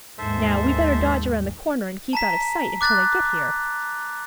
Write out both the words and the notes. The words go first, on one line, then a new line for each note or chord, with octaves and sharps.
Now we'd better dodge around the corner and keep out of sight until they get here.
D#2 G#2 A4 C5 E5
A5 A#5 B6
D6 F#6 A6